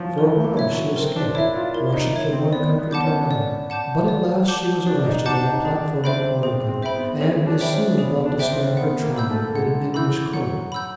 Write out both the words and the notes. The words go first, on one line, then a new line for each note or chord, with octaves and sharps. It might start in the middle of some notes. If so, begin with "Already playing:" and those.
For a while she escaped, rushing from one country to another, but at last she was arrested on a platform in Oregon, and is soon about to stand her trial in an English Court.
Already playing: F3 F#3
E3 A#4
E3
C#5 E5
F#3
C4 A#4
D4
E4 C#5 E5
F4
E4 A#4
D#4
C#5 E5
C4
B3 D5
B3
F#5 A5 D6 G6
C#4
D5
F#5 A5 D6 G6
D5
F#5 A5 D6 G6
D4 D5
D#4
D4 F#5 A5 D6 G6
D#4
D4 G#4
C4 C5 E5 G5 B5
C4 G#4
C4
C5 E5 G5 B5
B3
C#4 G#4
D4
C5 E5 G5 B5
C#4
B3 G#4
D4
C5 E5 G5 B5
C4
B3 F#5
A#3
B5 E6 G6
A3
G#3 F#5
E3 B5 E6 G6
F#3 F#5
B5 E6 G6